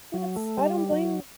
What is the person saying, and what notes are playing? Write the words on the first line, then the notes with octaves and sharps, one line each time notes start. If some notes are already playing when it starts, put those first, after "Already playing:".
That's I don't blame
F#3
A3
G3
F#3